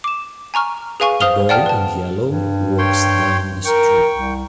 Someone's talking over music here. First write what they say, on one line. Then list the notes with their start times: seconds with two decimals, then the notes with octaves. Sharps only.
A boy in yellow walks down the street.
0.04 D6 E7
0.54 G#5 A#5 C#6 F6
1.00 G#4 B4 F5 G#5 C#6
1.20 C5 F5 D#6 F6 F7 G7
1.49 D5 F#5 G5 A5 F6
1.66 B4 A5
2.27 G2
2.78 C#5 G5 C6
3.65 A#4 G5 C#6
4.14 C2